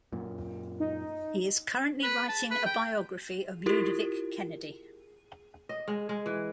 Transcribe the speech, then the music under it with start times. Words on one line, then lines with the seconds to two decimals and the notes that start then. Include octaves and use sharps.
He is currently writing a biography of Ludovic Kennedy.
0.13 F#2 A#2
0.80 D#4
2.03 B4
2.29 A5
2.51 B4
2.65 G5
3.66 E4 F4 G4 A#4
5.69 D#5
5.88 G#3
6.09 G#3
6.26 E3